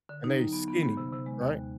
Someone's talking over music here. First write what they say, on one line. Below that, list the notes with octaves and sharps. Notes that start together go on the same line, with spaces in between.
and they skinny, right?
D3
D#4
F#3
B3
B3
B3
C3
C3
G#3
D#2